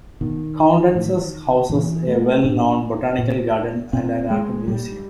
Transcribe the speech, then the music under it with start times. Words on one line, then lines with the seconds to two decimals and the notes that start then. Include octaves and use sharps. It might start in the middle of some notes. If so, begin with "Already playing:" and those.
Coutances houses a well-known botanical garden and an art museum.
0.21 B2 D#3
0.95 A2
1.70 A#2 E3
2.07 A3
2.44 A2 D4
3.19 A#2
3.93 B2 C4
4.30 G#3
4.67 A#2 G3